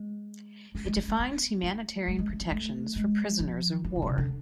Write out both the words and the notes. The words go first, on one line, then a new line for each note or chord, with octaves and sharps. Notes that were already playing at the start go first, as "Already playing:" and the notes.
It defines humanitarian protections for prisoners of war.
Already playing: G#3
A3
G#3
A3
A3
B3
A3
G#3
G#3
A3
B3
A3
G#3
F3
E3
C3
B2
C3
D3